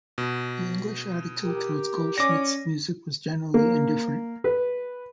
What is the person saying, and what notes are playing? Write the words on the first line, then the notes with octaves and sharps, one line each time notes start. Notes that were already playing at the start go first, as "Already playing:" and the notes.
The English attitude towards Goldschmidt's music was generally indifferent.
B2
G4 A#4
C#4 D5 D6 A#6
A#3
B4